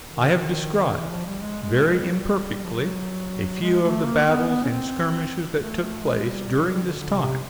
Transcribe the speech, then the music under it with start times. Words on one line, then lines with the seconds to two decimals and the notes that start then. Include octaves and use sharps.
I have described very imperfectly a few of the battles and skirmishes that took place during this time.
0.09 D#3
0.96 E3
1.11 F3
1.26 G3
1.41 G#3
1.62 G#3
1.85 G#3
1.97 G3
2.10 F#3
2.23 G3
2.64 F3
2.73 F#3
3.61 G#3
3.82 A3
4.05 A#3
4.27 B3
4.48 B3
4.63 C#4
4.71 C4
5.59 A3
5.81 A3
6.03 G#3
6.25 G3
6.60 F#3
6.69 G3
6.83 D3
6.99 D3
7.13 C3